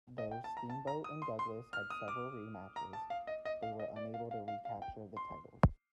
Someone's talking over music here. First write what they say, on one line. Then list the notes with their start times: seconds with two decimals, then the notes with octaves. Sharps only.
Though Steamboat and Douglas had several rematches, they were unable to recapture the titles.
0.18 D#5
0.31 G5
0.44 A5
0.57 A#5
0.70 A5
0.87 A#5
1.04 D#6
1.22 C6
1.39 C6
1.73 F6
1.90 D#6
2.08 D6
2.76 A#5
2.93 A5
3.10 F5
3.27 D#5
3.45 D#5
3.63 F5
3.80 D#5
3.96 D5
4.14 F5
4.31 F5
4.48 F5
4.65 F5
4.82 G5
5.17 C6